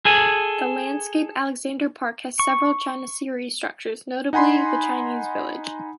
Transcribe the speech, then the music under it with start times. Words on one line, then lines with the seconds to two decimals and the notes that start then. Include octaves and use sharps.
The landscape Alexander Park has several Chinoiserie structures, notably the Chinese Village.
0.05 G#4 A4 G#5
2.39 C#6
4.33 D#4 F#5 G#5 B5 C6